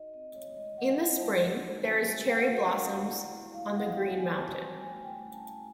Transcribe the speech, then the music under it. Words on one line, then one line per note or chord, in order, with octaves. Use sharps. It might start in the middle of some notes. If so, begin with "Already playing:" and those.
In the spring, there is cherry blossoms on the green mountain.
Already playing: D#4 F#4 D#5
C4 D#5
A3 C#5
G#3 D#5
F4 F#5
C4 G#5
G#3 A5
F#4
D#4
C4 G#5
G3
B3 G5
F#5
F#4 F5
F#5
D4
B3
E4
B3
E4 F5
B3 F#5
F#4 G5
D#4 G#5
C4 A5
G3
A3 G#5
E4 G5
C#4 G5
A5
A3 A5
G#5